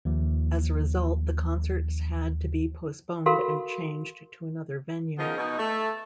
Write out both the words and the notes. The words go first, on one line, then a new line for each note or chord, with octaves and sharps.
As a result, the concerts had to be postponed and changed to another venue.
D#2 F3
F#4 A4 A#4 F5 B5 C6
C#3 F3 B3 D#4 G#4 A#4
B2 D#4
A3